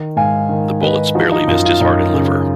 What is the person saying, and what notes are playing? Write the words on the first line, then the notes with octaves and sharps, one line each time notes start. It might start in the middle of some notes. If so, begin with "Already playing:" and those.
The bullets barely missed his heart and liver.
Already playing: D#3
G#2 F5 G#5
D#3
D#3 B4 D#5
F3 D#4 F#4
D#4
F#2 F4
F4
F#2 D#4
C#3